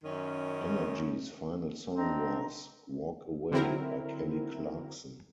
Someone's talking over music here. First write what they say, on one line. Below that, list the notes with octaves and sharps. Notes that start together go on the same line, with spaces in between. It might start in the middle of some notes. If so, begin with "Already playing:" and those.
Energy's final song was "Walk Away" by Kelly Clarkson.
F#2 D#3 C#4
C4 D4 D#5 A#5
D3 F#3 C4 E4 A#4